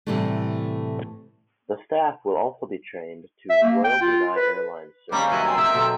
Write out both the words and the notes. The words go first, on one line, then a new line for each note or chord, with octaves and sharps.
The staff will also be trained to Royal Brunei Airlines service standards.
A2 C3 D#3 E3 G3 A3
E5
A#3
G5
F4
B4
D#3 G3 A#3 C4 C#4 F5 D6
G2 F#3 B3 E4 C5 D#5
G#4 D5 G5 C6 E6
D#4 G4 G#4 E5
B2 D3 F#3